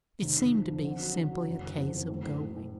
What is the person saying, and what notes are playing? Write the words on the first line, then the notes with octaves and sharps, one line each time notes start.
It seemed to be simply a case of going.
F1
F1
F3
F2
D3
F#3
D3
F#3
F#1
F#1
F2
F#1
A2
A2
A2
A2